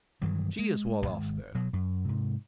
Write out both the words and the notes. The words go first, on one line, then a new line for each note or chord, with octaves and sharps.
She is well off there.
G2 D#3 E3 F#3
G#3
D1 G#1
B2 F#3
F#2
G#2 C3